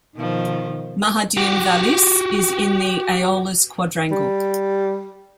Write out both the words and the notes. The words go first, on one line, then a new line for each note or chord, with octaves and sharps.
Ma'adim Vallis is in the Aeolis quadrangle.
B2 D#3 F3
F#4 G4
G3